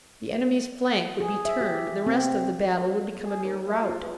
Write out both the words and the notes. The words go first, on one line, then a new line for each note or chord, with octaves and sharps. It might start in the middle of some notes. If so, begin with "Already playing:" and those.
The enemy's flank would be turned, and the rest of the battle would become a mere rout.
G#4
E5
G4
C4
G#4
D#2
E5
F4
E2